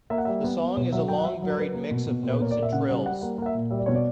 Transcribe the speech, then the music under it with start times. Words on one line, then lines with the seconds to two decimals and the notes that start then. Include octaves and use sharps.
The song is a long varied mix of notes and trills.
0.10 A#3 E5
0.18 F#5
0.25 G3 E5
0.44 B3
0.60 B3
0.76 B2 C#5
0.92 F#3 E5
1.08 F#3 G5
1.19 F#5
1.25 F#3 E5
1.42 F#3
1.50 A#4
1.58 F#3 B4
1.74 A#3
1.91 B2
2.07 B2
2.23 A#2
2.30 B4
2.41 A#3 C#5
2.51 D5
2.57 A#2
2.63 E5
2.72 C#3 F#5
2.89 G3 F#5
3.06 G3 F#5
3.21 A#3 F#5
3.38 A#3 F#5
3.46 E5
3.55 A#2
3.71 G3 E5
3.79 D5
3.86 B2 C#5
3.95 D5